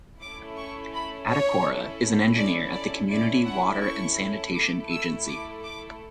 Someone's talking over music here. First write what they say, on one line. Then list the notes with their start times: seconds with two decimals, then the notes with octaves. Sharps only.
Atakora is an Engineer at the Community Water and Sanitation Agency.
0.21 A3 C#4 E4 A4 D6
0.57 C#6
0.93 B5
1.29 C#5
1.65 C#4 E4 A4
2.37 D5
2.73 D5
3.10 C#4 E4 A4 D5
3.46 F#5
3.82 C#6
4.54 A3 E4 A4 D6
4.90 E6
5.27 D6
5.63 D6